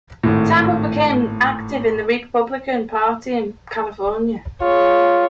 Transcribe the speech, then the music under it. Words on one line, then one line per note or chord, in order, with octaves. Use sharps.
Temple became active in the Republican Party in California.
G#1 A2
F4 G#4 C#5